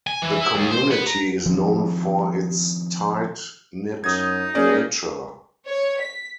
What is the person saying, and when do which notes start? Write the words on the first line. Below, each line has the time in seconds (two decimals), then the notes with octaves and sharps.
The community is known for its tight knit nature.
0.07 G#5
0.22 E3
0.41 E4
0.55 D#2
0.71 C5
0.91 B3
1.07 A#5
1.46 D#3 F3 C4
4.04 F#2 D#4 D#6 G#6
4.55 A#3 C#4 G#4 D5
5.66 C#5
5.99 B6